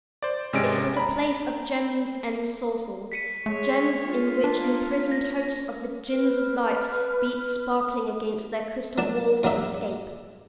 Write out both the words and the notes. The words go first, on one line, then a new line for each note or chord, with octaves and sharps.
It was a place of gems ensorcelled, gems in which imprisoned hosts of the Jinns of Light beat sparkling against their crystal walls to escape.
C5 D5
G#1 C3 G#3 C#4 D#5 D7
A#5 B5
B6 C#7 D#7
G#3 A3 C#5
F4
A#3 D4
A#6
B4 F6
F#3 D4 A5
D#2 F#3 A#3 D4 E5